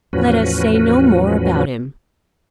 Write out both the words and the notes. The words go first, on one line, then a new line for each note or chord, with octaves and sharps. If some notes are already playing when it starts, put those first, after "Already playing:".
Let us say no more about him.
E2 A2 F3 C#4 F#4 B4